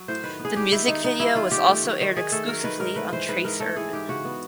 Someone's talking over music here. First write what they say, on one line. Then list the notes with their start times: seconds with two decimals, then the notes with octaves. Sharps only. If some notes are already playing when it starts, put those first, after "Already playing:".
The music video was also aired exclusively on Trace Urban.
Already playing: F#3
0.08 A2 C5
0.23 D#3 B4
0.39 B3
0.45 G#4
0.55 G3 G4
0.72 D#3 E4
0.87 D#3 D#4
1.04 B3 D#4
1.19 G3 E4
1.35 D#3 F4
1.51 D#3 G4
1.68 A3
1.84 F#3
2.01 D#3
2.17 D#3 G#4
2.32 A3 A4
2.48 F#3 A#4
2.64 D#3 B4
2.80 G#2 A#4
2.96 A3 B4
3.13 E3 C5
3.29 G#2 B4
3.44 G#2 A#4
3.60 A3 A4
3.76 E3 G#4
3.93 G#2 G4
4.09 C#3 F#4
4.25 B3